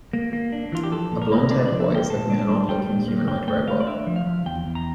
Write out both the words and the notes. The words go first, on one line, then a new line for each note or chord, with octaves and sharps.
A blondhaired boy is looking at an odd looking humanoid robot.
A#3
A#3
D4
E3 F4
G4
F3 A4
A#2
A#4
A#3
D4 D5
D5
F3
E5
A#3 G5
A#2 A5
D4
A5
G3
G3 G5
A#2
A#3
G2 G5
A3 G5
A3 F5
D5
D4 E5
F3
F5
F3
E2 G5
E2
A#5